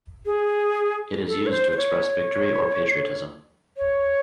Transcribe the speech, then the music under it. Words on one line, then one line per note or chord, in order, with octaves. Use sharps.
It is used to express victory or patriotism.
G#4
A4
C#5
C5
C5
C#5
C#5